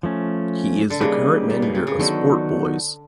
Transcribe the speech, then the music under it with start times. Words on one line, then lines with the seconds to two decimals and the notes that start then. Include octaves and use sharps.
He is the current manager of Sport Boys.
0.03 F3 A3 C#4
0.90 D3
1.01 C#3 G3 A#3 D#4 G4 B4
1.50 A#2
1.62 B2
1.75 C3
1.87 C#3
1.99 D3 D#3 F#3 B3 D#4 F#4